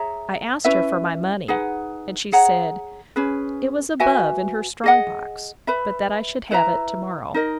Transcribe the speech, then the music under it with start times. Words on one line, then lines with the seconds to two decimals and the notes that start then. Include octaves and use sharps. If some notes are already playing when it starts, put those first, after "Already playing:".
I asked her for my money; and she said, it was above in her strong box, but that I should have it to-morrow.
Already playing: G#4 C#5 E5 A#5
0.64 C#4 E4 B4 E5
1.48 D#4 G#4 B4 F#5
2.32 G#4 C#5 F#5 A#5
3.16 C#4 G#4 B4
4.00 F#4 B4 E5 G#5
4.84 G#4 D#5 F#5
5.67 B4 E5 B5
6.51 E4 B4 E5 A#5
7.34 D#4 A#4 D#5